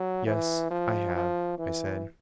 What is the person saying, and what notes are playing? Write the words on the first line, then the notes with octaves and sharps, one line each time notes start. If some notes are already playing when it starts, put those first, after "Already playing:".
"Yes, I have," I said.
Already playing: F#3
E3
F3
F3
E3